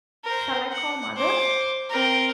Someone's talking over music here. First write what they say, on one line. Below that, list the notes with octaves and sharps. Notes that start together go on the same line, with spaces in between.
Shall I call mother?
A#4 C5
F#5
C5 D6
C4 A#4